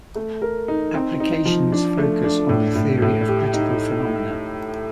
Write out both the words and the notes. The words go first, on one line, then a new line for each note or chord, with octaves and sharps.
Applications focus on the theory of critical phenomena.
A3
A#4
D#4
C4
D#4
F3
D4
A3
D4
A2
A2
A2
G4
D#4